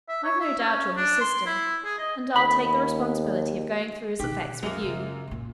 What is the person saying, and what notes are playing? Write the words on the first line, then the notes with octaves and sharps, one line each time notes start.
I've no doubt you're his sister, and I'll take the responsibility of going through his effects with you.
E5
C#5
E5
C#4
D4
C6
E4
G#4
D#5
D#2 B5
B2 D3 D#3 G4 F#6
F#2 F3 G#3 A#3 F7
C#3
F#2 A#2